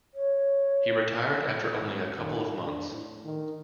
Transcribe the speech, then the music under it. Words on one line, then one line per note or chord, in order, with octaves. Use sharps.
He retired after only a couple of months.
C#5
G#1
D#3
D4
A2
D#3